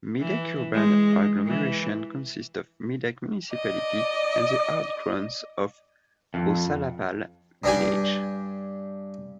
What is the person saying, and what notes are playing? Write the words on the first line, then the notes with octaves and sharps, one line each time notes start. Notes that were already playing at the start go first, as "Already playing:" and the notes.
Medak urban agglomeration consists of Medak municipality and the out growth of Ausulapalle village.
E3
G#3
E3
D5 D#5
F2
G2 D4 G4 G#5